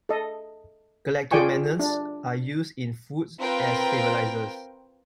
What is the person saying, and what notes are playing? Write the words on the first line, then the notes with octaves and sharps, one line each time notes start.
Galactomannans are used in foods as stabilisers.
A4 D#5
F4 G#4 D5 G5 G#5 C#6
D4
C4 F4 A#4 B4 G5